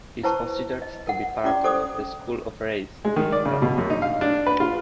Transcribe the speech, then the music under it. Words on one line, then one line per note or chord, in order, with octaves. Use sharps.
He is considered to be part of "The School of Reis" film family.
E4 B4 C5 A5 C#6
D#5
A#4 F#5
C#4 E4 G4 D5 D6
G4 A4 C5 D5 D6 D#6
G#3
D#3
D5
C#3
B2
F#2
D#4
F5
D4
B4
F4